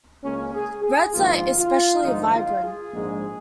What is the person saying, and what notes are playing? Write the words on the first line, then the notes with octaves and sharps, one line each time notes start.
Reds are especially vibrant.
C#2 C#3 A#3 C#4
G#4
G#4
A#1 G#2 D#3 A#3 F4
F4
A#1 G#2 D#3 D#4
F4
G#4
A#1 G#2 G#3